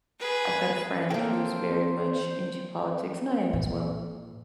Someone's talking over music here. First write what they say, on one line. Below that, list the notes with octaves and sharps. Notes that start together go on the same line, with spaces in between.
I've got a friend who's very much into politics, and I am as well,
G#4 B4
E2 A#3 C4 A4 C5 C#5 G5
A#2